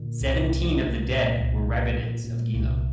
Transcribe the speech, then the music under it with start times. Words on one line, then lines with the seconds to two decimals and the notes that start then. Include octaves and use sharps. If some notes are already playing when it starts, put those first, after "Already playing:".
Seventeen of the dead were residents of Gilo.
Already playing: A#2 D3
0.20 C2
0.50 C2
0.79 C2
1.08 A#2
1.38 C2
1.67 A#2
1.96 A#2
2.24 A#2
2.54 C2